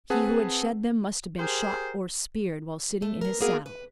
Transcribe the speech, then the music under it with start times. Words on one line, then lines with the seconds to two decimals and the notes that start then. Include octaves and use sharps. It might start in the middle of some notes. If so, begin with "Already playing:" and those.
He who had shed them must have been shot, or speared, while sitting in his saddle.
0.10 C4 G#4 B4 F#5 A5
1.39 G4 G#4 A#4 C5
3.02 A3
3.21 B2 A#4
3.41 A#3 B3 F#4 G#4 A#4
3.66 B4